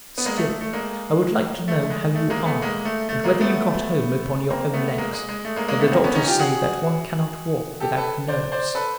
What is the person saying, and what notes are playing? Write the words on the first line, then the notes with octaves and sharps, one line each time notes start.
Still, I would like to know how you are and whether you got home upon your own legs, for the doctors say that one cannot walk without nerves!
B3
G#3 A#3
A3
A3
A3
G#3 A#3
A3
G#3
A3
G#3 A#3
A3 B3
G#3 A#3
A3
A3
G#3 A#3
A3 B3
A#3 C4
A3 B3
G#3 A#3
G#3
G#3
A3
G#3 A#3
G#3 A#3
A3 B3
A#3 C4
B3 C#4
C#4 D#4
F4 G4
F#4 G#4
G4 A4
A4 B4
C5 D5
C5 D5
A4 B4